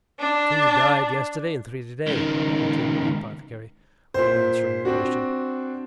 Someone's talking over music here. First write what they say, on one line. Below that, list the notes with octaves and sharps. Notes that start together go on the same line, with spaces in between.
"Two died yesterday, and three to-day," continued the apothecary, without answering the question.
D4
C#2 D#3
A#2 C5
C4 D4 F#4